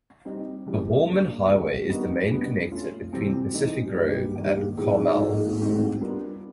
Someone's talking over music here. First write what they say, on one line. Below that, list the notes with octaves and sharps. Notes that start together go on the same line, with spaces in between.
The Holman Highway is the main connector between Pacific Grove and Carmel.
G3 C4 D#4
C#3 E3 G3
C#3 F#3 A#3 D4
D#3 G#3 C#4 F#4
G3 B3 D#4 F#4 A#4
B2 G3 B3 D4
A3 C#4 F4
C3 E3 G3 C4
E3 A3 C4 D#4
G3 A#3 D#4 G4 B4
D#3 G3 A#3
A2 F#3 B3
F3 A#3 D#4 F#4 A4
G3 C4 D#4
G3 B3 D4 F4 A#4